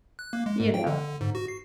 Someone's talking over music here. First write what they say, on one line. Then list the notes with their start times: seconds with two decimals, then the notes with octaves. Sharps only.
you know.
0.19 F#6
0.33 A#3
0.46 G#3
0.60 G#2
0.74 G5
0.87 D3
1.01 D3
1.21 G#2
1.35 F#4
1.48 C7